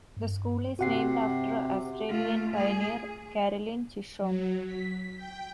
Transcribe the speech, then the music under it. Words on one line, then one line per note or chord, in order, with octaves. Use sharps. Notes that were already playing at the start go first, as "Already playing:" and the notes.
The school is named after Australian pioneer Caroline Chisholm.
G2
C3 F#4 F#5 C7
A3 F4
G#4
F#3
B6
G5